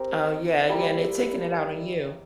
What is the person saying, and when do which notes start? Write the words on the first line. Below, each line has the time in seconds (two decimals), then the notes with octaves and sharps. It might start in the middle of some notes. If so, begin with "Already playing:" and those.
Oh yeah, yeah, and they taking it out on you.
Already playing: C4 G4 A#4
0.69 G3 A#3 E4 A#4